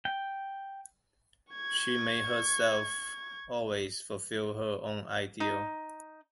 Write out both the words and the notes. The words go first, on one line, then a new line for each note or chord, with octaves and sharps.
She made herself always fulfill her own ideal.
G5
C#6 G#6
D#4